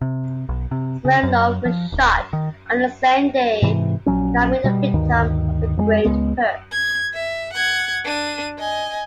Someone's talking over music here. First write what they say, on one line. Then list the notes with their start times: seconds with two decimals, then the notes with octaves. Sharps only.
Smirnov was shot on the same day, becoming a victim of the Great Purge.
0.01 C3
0.49 B1
0.71 C3
1.05 C#3
1.23 F#2
1.65 F3
1.92 D1
2.33 D#3
3.62 G#2 C3 E3
4.06 A#1 F#2 F#3 C#4
4.64 B2 G3
4.93 D2 G2 D#3
5.77 F2 F#3 G#3
6.05 C#2 G#3 B3
6.72 G#6
7.13 E5
7.53 F#5 G#6
8.05 D4 D#7
8.59 D#5 G#5